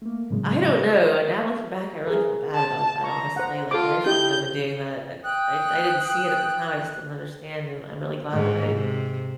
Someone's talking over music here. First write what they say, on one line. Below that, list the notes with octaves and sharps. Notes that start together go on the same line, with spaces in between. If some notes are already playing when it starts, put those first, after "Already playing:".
I don't know, and now looking back, I really feel bad about that, honestly, like, I shouldn't have been doing that. I I I didn't see it at the time, I just didn't understand, and I'm really glad that I
A3 A#3
A2 C#3 F#3 G#3
G#4 A#4
A5
A#5 C#6
C5 F#5
F4 A4 D6
E4 G4 D#5 G6
G5 D#6 F#6
G#2 D#3
C3